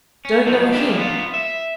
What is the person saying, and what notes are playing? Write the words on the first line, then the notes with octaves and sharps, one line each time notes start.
Don't know him.
C#4
F3 F#3 D#4
G#3 A#3 D4 E4 G4
B3 F4
E5